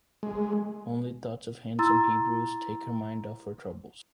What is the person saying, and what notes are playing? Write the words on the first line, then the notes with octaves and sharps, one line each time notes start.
Only thoughts of handsome Hebrus take her mind off her troubles.
G#3
E4 A#5 C6 E6 A6